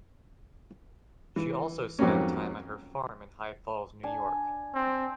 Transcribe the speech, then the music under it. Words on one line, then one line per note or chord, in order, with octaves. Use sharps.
She also spent time at her farm in High Falls, New York.
E3
F2 G#2 F#3 G3 A#3 C#4
D4 G#5
C4